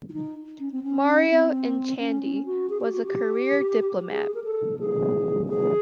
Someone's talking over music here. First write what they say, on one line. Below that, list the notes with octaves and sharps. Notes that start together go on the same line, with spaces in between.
Mario Echandi was a career diplomat.
E4
D#4
C#4
C4
C#4
C4
C#4
C#4
F#4
G#4
G4
F#4
G4
G#4
A#4
A4
G#4
G#4